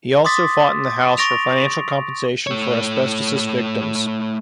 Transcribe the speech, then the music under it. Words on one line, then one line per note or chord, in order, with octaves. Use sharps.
He also fought in the House for financial compensation for asbestosis victims.
C6 D6 D#6 A6 B6
C#6 A6 A#6 D7 F7
A3 C#5